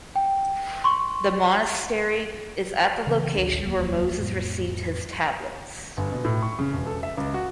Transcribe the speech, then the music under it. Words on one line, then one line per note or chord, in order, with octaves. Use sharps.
The monastery is at the location where Mosses received his tablets.
G5
C6 C#6
C#3 E3 B3
A1 D2 D#3 D4
D1 E2 F#3 A#3
F2 A2 G3 A#3
G1
B2
A2
C#6
C#3
E1
A4
E5
C#2
F#4